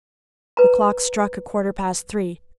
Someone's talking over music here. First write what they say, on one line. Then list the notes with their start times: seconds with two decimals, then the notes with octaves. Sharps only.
The clock struck a quarter past three.
0.57 B4 A#5